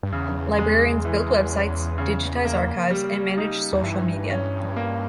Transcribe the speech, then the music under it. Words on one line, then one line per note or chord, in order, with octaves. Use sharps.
Librarians build websites, digitize archives, and manage social media.
G2
E2 C#3
G#3
E3
C#4
C#3
A#3
G3
D#4
E2
G2 E3
C#4
A#3